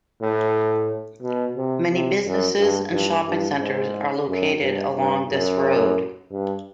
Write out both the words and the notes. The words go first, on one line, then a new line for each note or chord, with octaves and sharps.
Many businesses and shopping centers are located along this road.
A2
B2
C3
C3
F#2
G2
G2
G2
G#2
F#2
G2
G2
F#2
G2